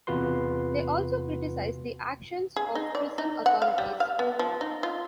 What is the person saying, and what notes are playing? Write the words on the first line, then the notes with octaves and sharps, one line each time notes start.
They also criticize the actions of prison authorities.
E2 C3 F4 F#4 B4 C6
G#4
D#4
D5
D#4
F#5
F5
G3
F5
B3
F3
D#4
F4